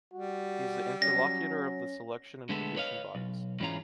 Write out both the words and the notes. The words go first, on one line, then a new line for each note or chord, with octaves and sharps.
He is the interlocutor of the selection and provision bodies.
G3 F#4
F#3 C#4 A#6
D3 G#3 A3 B3 A4
B4 C#5 D#5 F5
B1
G#2 E3 G#3 C#4 F4 A#5